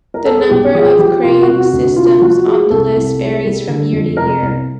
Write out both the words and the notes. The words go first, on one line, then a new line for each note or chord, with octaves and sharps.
The number of Cray systems on the list varies from year to year.
A#4
A4
G#4
B1 G4
F3 G#4
F3 G4
C3 F4
F#4
C3
F#4
D2
C3 F4
F3 F#4
G#3 G#4
C2 A4
C2
G#3
G3
D3
F2
C3 A#4
C2